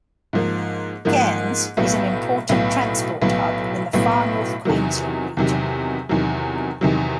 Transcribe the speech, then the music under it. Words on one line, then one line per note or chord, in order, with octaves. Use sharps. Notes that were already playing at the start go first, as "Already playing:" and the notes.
Cairns is an important transport hub in the Far North Queensland region.
G#2 F3 A#3
G#2 F3 A#3
B1 A2 F#3 B3
B1 A2 F#3 B3
B1 A2 F#3 B3
B1 A2 F#3 B3
E2 C3 D#3 F#3
E2 C3 D#3 F#3
E2 C3 D#3 F#3
E2 C3 D#3 F#3